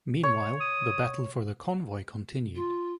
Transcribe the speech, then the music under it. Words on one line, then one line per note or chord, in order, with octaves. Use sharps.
Meanwhile, the battle for the convoy continued.
C#5
D#6
F4